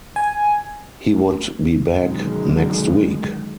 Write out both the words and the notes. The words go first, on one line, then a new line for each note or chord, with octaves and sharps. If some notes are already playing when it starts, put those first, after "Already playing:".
He would be back next week.
G#5
F#2 B2 D3 D#3 G#3